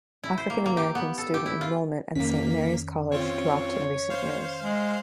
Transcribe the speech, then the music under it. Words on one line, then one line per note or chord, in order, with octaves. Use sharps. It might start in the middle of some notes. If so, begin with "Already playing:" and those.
African-American student enrollment at Saint Mary's College dropped in recent years.
E4
C5
A#3
A#3
G4
B3
A4
G4
E4
F4
F2 D#3 A#3 C#4 B6
C4 F4 C#5
C5 F5
G#3